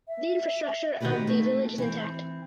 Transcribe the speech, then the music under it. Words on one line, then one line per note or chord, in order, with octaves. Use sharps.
The infrastructure of the village is intact.
E5
D#3 C4 C#4 F#4 G4 B4
A3
E3 C4